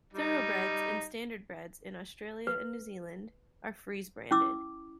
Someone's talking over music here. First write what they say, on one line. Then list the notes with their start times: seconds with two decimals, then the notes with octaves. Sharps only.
Thoroughbreds and Standardbreds in Australia and New Zealand are freeze branded.
0.13 G3 D#4
2.47 B4
4.31 C#4 E4 D6 E6